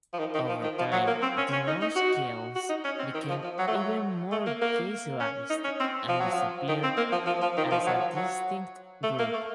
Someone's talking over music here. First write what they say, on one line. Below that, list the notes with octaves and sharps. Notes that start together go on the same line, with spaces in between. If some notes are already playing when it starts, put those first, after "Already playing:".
Over time, the Norse-Gaels became ever more Gaelicized and disappeared as a distinct group.
F3
D#3
D#3
F3
D#3
F3
F#3
A#3
C4
C#4
C#4
D#4
D#4
F#4
F#4
D#4
C#4
C4
D#3
F3
F3
F#3
A3
F#3
A3
A#3
A#3
C#4
D#4
C#4
C4
F3
F#3
F3
D#3
C4
A#3
F3
F3
F3
D#3
F3
F#3
F3
F#3
A3
A#3
A3